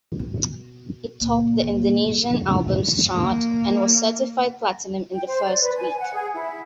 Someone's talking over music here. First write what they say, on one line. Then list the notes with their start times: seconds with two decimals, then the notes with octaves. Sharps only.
It topped the Indonesian Albums Chart and was certified platinum in the first week.
0.19 B2
1.21 C#2 A#2
1.61 A#2 E3
3.14 A#3
5.13 G5
5.27 C5
5.45 D5
5.62 B4
5.76 G#5
5.99 F#5
6.13 G#4
6.34 E4